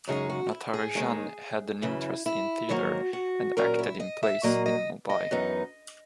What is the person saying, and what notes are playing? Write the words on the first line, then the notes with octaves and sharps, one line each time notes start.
Natarajan had an interest in theatre and acted in plays in Mumbai.
F#2 C#3 G#3 D#4 G#4
F#4
E4
G#4
D#2 D#3 G#3 D#4
F#2 C#3 E3 E4
E4
G#2 D#3 F#3 A#3 F#4
F#4
A#2 F#3 C#4 A#4
E4
D#5
E5
A#2 F#3 A#3 D#5
D#5
D#5
F#2 E3 B3 D#4